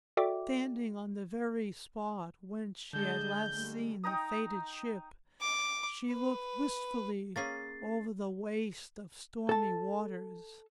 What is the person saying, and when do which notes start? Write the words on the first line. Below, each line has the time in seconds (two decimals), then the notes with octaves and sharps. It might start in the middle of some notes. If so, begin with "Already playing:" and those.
Standing on the very spot whence she had last seen the fated ship, she looked wistfully over the waste of stormy waters.
0.17 F#4 A4 D5 E5 G5 D6
2.93 D3 G#3 G#4 D#5 A5 G6
3.51 G3 A3 A#3
4.04 D#4 G5 A#5 D#6
5.41 D6
6.11 B4
7.36 A#3 C#4 G#4 A6 C7
9.49 A4 A5